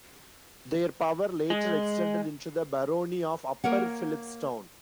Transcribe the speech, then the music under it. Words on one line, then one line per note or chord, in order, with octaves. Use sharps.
Their power later extended into the barony of Upper Phillipstown.
G#3
A#3 A#4 C#5 F#5